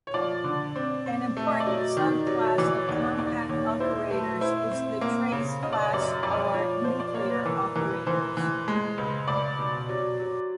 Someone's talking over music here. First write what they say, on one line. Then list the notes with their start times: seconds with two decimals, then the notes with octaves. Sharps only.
An important subclass of compact operators is the trace-class or nuclear operators.
0.07 C#5
0.14 F3 D5
0.44 D3
0.76 C4
1.06 C4
1.37 A3
1.48 D#5
1.60 D5
1.66 F#3
1.72 D#5
1.97 D#3
2.27 F#3
2.47 C#5
2.58 E3 D5
2.73 C#5
2.88 D#2 D5
3.04 D5
3.18 D#2 D5
3.49 D#2 C#5
3.80 E4 C5
4.10 A3 B4
4.41 E4 C5
4.71 C4
5.01 A#3
5.32 C#3
5.63 C#3 D#5
5.73 D5
5.83 C#5
5.93 F#2 D5
6.23 F2 D5
6.31 C#5
6.40 D5
6.53 F3 C#5
6.84 F3 C5
7.00 D5
7.14 A#3 C#5
7.30 B4
7.45 E3 A#4
7.61 A#4
7.76 E3 A#4
7.91 B4
8.06 E3 C5
8.37 E3
8.68 G#3
8.98 C#2
9.28 C#2 D5
9.59 B2
9.89 F#3
10.20 F#3